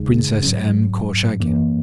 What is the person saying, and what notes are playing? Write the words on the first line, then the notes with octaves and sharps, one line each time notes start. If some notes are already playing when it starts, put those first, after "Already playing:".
Princess M. Korchagin.
Already playing: D#2 C#3 G#3 D#4 G#4
G#2 F#3 C#4
F#2 E3 A#3